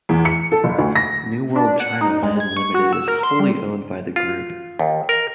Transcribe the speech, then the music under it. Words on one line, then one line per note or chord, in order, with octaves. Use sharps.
New World China Land Limited is wholly owned by the Group.
E2
C#7
A4
F#1
D2
A#6
D4
F#5
D#4
G#3
G#6
C#6
F#4
E6
A#4
C6
G3
F4
D#2
A#4